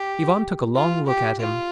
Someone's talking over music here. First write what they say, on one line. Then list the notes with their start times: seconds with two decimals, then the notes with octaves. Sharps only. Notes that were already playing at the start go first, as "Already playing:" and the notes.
Ivan took a long look at him.
Already playing: G4
0.75 F4
1.07 G4
1.40 F4